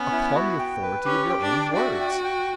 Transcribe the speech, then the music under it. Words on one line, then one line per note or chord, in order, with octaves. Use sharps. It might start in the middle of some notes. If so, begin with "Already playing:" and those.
"Upon the authority of your own words."
Already playing: B3 C#4
E4
F#4
G5
B4
C#4 G4
G5
D4
D5
F#4 E5
G5
G5